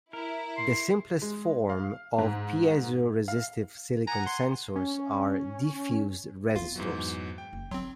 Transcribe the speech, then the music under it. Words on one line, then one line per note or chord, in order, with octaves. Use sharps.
The simplest form of piezoresistive silicon sensors are diffused resistors.
E4 A#4
C6
G#3
F5
G#2
F5
F#5 G#5 A#5
C6
C#4
F2 B3 F4 F5
G#2 E3 F#3
G5
F#1
D3 F#3 C4 C6